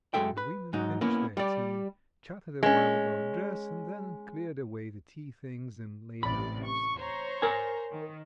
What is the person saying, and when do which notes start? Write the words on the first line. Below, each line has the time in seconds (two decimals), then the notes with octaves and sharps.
The women finished their tea, chatted a while about dress, and then cleared away the tea-things and lay down to sleep.
0.14 F#2 D#3 G#3 A4 E5 G5
0.38 B4
0.73 G#2 F#3 D#4
1.01 A#3 B3 C#4 E4
1.37 G3 D5
2.63 G#3 C#4
6.23 A1 C3 D5 B5
6.64 C#6
6.97 C5 C#5 A#5
7.42 A#4 G#5
7.92 D#3